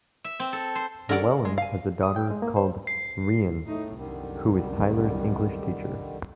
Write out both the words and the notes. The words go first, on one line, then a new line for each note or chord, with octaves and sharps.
Llewellyn has a daughter called Rhian, who is Tyler's English teacher.
E5
C4
A4
C5
C#4 A4 A#4 D5 F#5
G#3
F5 G#5
D#6
G5
G#3
A#3
C5
C7
A2 A3 D#4
C2 F#2 D3 D#3 G3